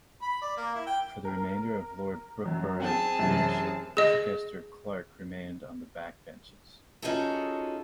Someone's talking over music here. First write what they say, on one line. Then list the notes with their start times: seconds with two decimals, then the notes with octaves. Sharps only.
For the remainder of Lord Brookeborough's Premiership, Chichester-Clark remained on the back benches.
0.22 B5
0.42 D5
0.57 A#3
0.75 E4
0.86 G5
1.25 A#4
2.45 F#2 F#3
2.80 C4 G#4 A5
3.19 A1 F#2 C3
3.97 G#4 D#5
7.02 C#4 D#4 F4 F#4 G#4 A4